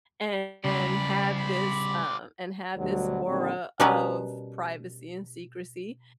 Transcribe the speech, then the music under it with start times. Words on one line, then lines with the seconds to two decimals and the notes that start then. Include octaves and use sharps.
and have this, um, and have this aura of privacy and secrecy.
0.65 C#3 G3 C5 D5 B5
1.38 B5
2.76 D2 B2 D3 F#3 G3
3.27 A#2 D3 D#3 G3 C4
3.80 B2 G3 B3 C#4 A#4 B4